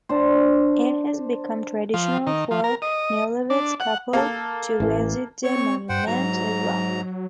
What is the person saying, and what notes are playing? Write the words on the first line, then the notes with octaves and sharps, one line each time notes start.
It has become traditional for newlywed couples to visit the monument as well.
D4 C5
F3
D#3
F3
A#4
D#5
D4
F#5
A#3 A4
A1 E3
C4 C#5 C#6
G2 C5 F#5 G5
G#2 F#3 A#5